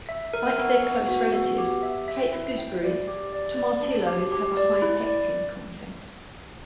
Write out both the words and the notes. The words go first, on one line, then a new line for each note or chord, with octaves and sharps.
Like their close relatives, cape gooseberries, tomatillos have a high pectin content.
E5
A#4
B3
B3
F#4
B3
G4
E5
E5
E4
G5
D5
G4
D5
D5
D4
G4
G4
D5
E4
D5